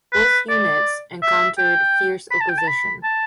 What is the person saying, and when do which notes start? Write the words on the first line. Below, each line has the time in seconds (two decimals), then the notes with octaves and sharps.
Both units encountered fierce opposition.
0.13 B4
0.50 D5
1.23 E5
1.59 G5
2.31 B5
2.41 A5
2.49 G5
2.58 A5
2.67 B5
3.04 A5